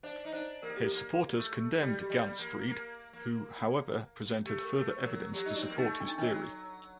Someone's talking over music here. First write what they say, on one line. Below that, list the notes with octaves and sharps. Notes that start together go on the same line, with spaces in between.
His supporters condemned Ganzfried, who, however, presented further evidence to support his theory.
D4 C5
D#4
D4 C5
A#3 A#4
A4
G4
A4
A#3
A3
G3 G4
F#4
G4
G3
A#3
A#3
A#3
A3 G4
A#4
A3 A4
F#3 A#4
F#3 G4
D#4
D4 F#4
C4
A#3
A3 D#4
D4
D#4
D#3 F#3 D4